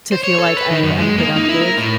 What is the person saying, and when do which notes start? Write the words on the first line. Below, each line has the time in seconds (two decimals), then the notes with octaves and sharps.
to feel like I am productive,
0.12 C5
0.24 C#5
0.38 A4
0.57 B4
0.70 D#3
0.83 F#2
0.98 G#3
1.18 A#3
1.36 D#4
1.49 E4
1.61 A#4
1.78 A2